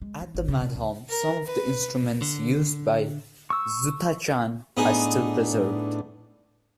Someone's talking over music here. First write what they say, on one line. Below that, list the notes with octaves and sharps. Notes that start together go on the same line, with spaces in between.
At the madhom, some of the instruments used by Ezhuthachan are still preserved.
G#3
E4
G#1
C#3
C3
C#2
A#4
B4
D3
C#6 E6
A2 B3 D4 D#4 G#4